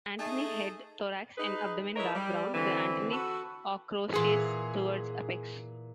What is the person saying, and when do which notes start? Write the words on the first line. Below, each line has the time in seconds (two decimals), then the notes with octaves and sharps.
Antennae, head, thorax and abdomen dark brown; the antennae ochraceous towards apex.
0.19 A3 D#4 G#4 A4 A5
1.38 D#4 G#4 B4
1.96 E4 G#4 A#4 B4 C#5 D#5
2.14 G3
2.54 D3 E3 C4
3.11 F#4 A4 B4
4.14 A#2 E3 G#4 F#5 C6